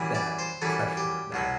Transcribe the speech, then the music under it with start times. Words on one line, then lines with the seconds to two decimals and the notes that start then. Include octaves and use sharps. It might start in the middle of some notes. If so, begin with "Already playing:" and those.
that pressure, that
Already playing: F#2 E3 G3
0.15 D5
0.39 C5
0.62 F#2 E3 G3 A4
0.97 G4
1.32 C2 B2 F#3